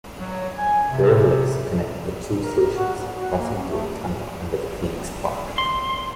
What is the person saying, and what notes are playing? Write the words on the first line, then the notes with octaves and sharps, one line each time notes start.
Rail links connect the two stations passing through a tunnel under the Phoenix Park.
F#3
G#5
C3
A#4
F#4
G#2
F#4
A#3
C#4
A3
C6